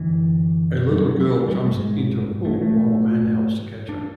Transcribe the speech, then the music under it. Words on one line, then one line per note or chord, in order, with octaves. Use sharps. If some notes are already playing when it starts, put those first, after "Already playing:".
A little girl jumps into a pool while a man helps to catch her.
Already playing: F#2 D3 E3
G3
F#3
G3
A3
G#2 G#3
A3
G#3
A3
D4